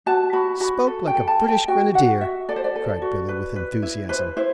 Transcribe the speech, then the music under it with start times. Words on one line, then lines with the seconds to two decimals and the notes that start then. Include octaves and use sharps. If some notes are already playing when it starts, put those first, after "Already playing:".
"Spoke like a British Grenadier," cried Billy, with enthusiasm.
0.06 F#4 A5
0.33 F#4 B5
0.60 F#4 B5
0.87 A4
1.07 G5
1.15 A4
1.28 A5
1.41 A4
1.48 G5
1.68 F#4 G5
1.94 F#4 F#5
2.21 F#4 E5
2.49 A4 D5
2.56 C5
2.64 D5
2.76 A4
3.02 F#4
3.29 B4
3.56 B4
3.82 E4
4.09 B4 C5
4.37 E4 C5